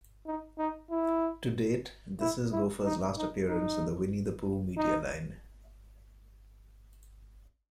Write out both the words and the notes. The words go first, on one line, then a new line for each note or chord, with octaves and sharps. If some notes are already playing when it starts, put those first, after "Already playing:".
To date, this is Gopher's last appearance in the "Winnie the Pooh" media line.
D#4
D#4
E4
E4
E4
D#4
D#4
D#4
D#4